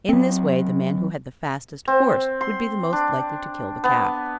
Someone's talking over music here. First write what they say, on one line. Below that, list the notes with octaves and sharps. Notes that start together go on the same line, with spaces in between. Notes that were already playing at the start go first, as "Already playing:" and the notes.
In this way, the man who had the fastest horse would be the most likely to kill the calf.
F#3 C4
C4
C6
D4
B3